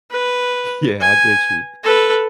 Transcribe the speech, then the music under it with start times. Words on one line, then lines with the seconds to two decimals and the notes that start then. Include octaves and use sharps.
yeah. I get you.
0.11 B4
1.00 G#5
1.84 A4 B4